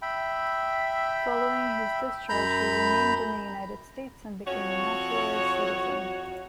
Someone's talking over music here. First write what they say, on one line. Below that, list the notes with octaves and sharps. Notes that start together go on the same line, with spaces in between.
Following his discharge, he remained in the United States and became a naturalized citizen.
E5 G5 B5
F#2 A#5 B5 G6
F2 F#4 C#5